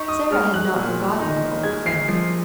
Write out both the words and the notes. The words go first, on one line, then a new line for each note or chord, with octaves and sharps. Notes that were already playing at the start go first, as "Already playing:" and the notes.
Sara had not forgotten her old friend.
Already playing: D#4 C#6
D#6
G#3 F6
F#6
A#2
D#4
G#3 G#6
C7
F3 C7